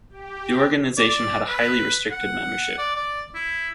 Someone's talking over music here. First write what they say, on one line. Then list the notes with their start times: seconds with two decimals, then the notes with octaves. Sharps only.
The organization had a highly restricted membership.
0.10 G4
0.98 D5
1.49 B4
2.11 F#5
2.78 D5
2.96 D5
3.35 E4